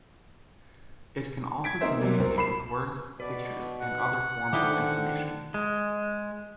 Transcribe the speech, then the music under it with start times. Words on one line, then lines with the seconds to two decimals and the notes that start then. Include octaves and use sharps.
It can also communicate with words, pictures and other forms of information.
1.64 G#6 B6 D7
1.81 A#3 C4 D#4 A#4 C5 E5
1.99 F#3 G3 A#3
2.18 C2 C4 A#4
2.37 A#3 B5 C7 E7
3.20 B2 B4 D5
3.82 F#5
4.53 D3 D#3 G#3 D#4 E4 G4 C5
5.54 G#3